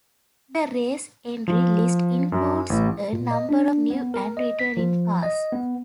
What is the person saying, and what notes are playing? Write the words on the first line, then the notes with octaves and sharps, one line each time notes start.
The race entry list includes a number of new and returning cars.
F3
F#2
A1
A#2
D#5
D4
B3
A#4
D#5
B6
F3
D#5
B3